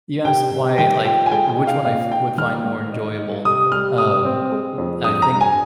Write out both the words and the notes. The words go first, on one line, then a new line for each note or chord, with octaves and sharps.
You asked why, like, which one I f would find more enjoyable, um, m I think
C3 G5
C3
D#3 G5
F4 G5
G#5
G#3 G5
G5
D#4
F5
A#2 F5
D#4 G5
D#3 F6
G#2
D#4
D#4
C3 D#6
G3 F6
C3 D#6
C4
G#3
F2
G2 D#6
A#5
G2
G#5